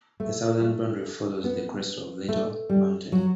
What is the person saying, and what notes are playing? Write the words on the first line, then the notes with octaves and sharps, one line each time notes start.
The southern boundary follows the crest of Little Mountain.
A3
A3
B3
A3
G3
F#3